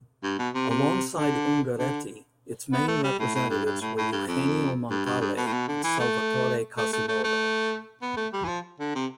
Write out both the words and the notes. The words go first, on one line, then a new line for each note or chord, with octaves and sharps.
Alongside Ungaretti, its main representatives were Eugenio Montale and Salvatore Quasimodo.
G2
B2
C3
C3
D3
D3
B3
A3
G3
A2
A2
G2
G2
A2
A2
G2
F2
G2
G2
G2
B2
A2
B2
D3
E3
A3
A3
A3
A3
A3
B3
A3
G3
E3
F3
D3
C3